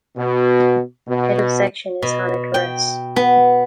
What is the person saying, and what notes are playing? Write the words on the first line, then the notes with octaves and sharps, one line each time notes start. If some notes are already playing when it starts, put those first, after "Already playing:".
Head of Section is Hannah Carress.
B2
B2
B2
G5
B3